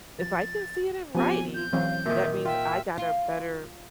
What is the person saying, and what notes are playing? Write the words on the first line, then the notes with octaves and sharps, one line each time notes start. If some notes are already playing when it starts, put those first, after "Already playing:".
If I can see it in writing, that means I got a better
F3 A6
F3 B3 C4 G4 G#5
F4 G6
E3 F#3 C4 F5
A#2 D#3 E5
F4 E5 G5
F4